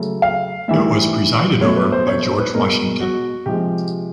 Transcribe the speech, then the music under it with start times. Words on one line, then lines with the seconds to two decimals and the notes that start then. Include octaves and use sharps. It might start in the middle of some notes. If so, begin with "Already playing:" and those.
It was presided over by George Washington.
Already playing: C#3 F#3 A3
0.22 F5
0.68 A2 E3 G3 E5
1.61 B2 F#3 A3 C#5
1.77 B4
1.92 C5
2.07 C#5
2.23 C5
2.38 B4
2.53 B2 G#3 A#4
3.00 F#4
3.46 C3 F3 G#3 G4